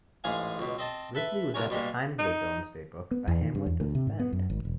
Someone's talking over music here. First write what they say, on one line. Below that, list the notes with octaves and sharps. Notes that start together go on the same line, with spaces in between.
Ripley was at the time of the Domesday Book a hamlet of Send.
A1 G#2 G#4 F5 G#5
C#2 B2
C4 D#5 A5
A4 B4 E5
C2 D4 A#4 C#5 G#5
B2 G3 G#3 A#3
D#4
B3
E2
D#3
G2
E2
D2
C3
G#2
B3
F#2
G#1
E1